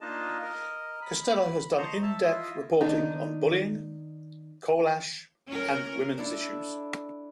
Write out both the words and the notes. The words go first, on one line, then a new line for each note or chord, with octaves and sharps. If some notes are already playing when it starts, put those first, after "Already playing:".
Costello has done in-depth reporting on bullying, coal ash, and women's issues.
A#3 D4 D#4 F4 D#5 A5
A#4 D#5
B5
C5 D#5 A5 A#5 C6 C#6
E5 A5
E4 F4 D#5 E5
D#3 B3 D4 D#4
C#4 A#4
D4 E4 A4